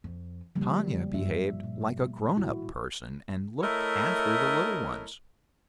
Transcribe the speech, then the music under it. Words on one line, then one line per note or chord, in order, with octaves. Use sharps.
Tanya behaved like a grownup person, and looked after the little ones.
F2
D3 F3 G3 A#3
G2 F4 E5
A#2
A2 D#3 E4 F#4
A3 E4 A#4 C#5 D#5